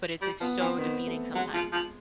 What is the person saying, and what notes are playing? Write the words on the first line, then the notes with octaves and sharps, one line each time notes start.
but it's, like, so defeating sometimes
G3
F3 B3
E3 C4
D#3 B3
A3
F#3 G#3
F3
F3